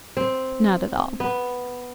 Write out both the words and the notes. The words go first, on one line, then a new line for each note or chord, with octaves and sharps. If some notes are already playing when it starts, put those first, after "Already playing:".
Not at all.
C4
B3